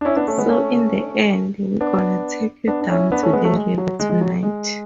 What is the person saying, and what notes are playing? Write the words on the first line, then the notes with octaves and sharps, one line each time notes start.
So in the end, we're gonna take you down to "The River" tonight.
D4
C#4 E4
B3 D4
A3 C#4
G#3 B3
A3 C#4
B3 D4
B3 D4
D4
C#4 E4
B3 D4
A3 C#4
G#3 B3
F#3 A3
G#3
F#3
G#3
G#3
F#3
G#3